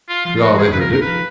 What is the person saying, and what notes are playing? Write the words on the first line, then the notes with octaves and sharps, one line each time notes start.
We all entered it.
F4
F3 F4
F4
F#4
F#4
D#3 G#4
C#3 B4
A#4
F3
D#3 A#4
B4
F3